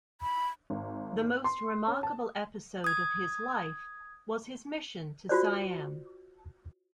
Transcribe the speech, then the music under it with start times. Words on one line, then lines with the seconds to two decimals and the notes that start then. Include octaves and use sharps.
The most remarkable episode of his life was his mission to Siam.
0.21 B5
0.70 G#1
1.44 C6
1.87 C#4
2.03 A5
2.84 D#6 G#6
5.29 F4 F#4 C5 D5